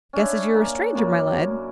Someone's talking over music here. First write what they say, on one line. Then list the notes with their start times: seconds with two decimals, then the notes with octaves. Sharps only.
"Guess as you're a stranger, my lad."
0.13 C#4 D4 E4
0.54 A#3
0.95 F#2 A#3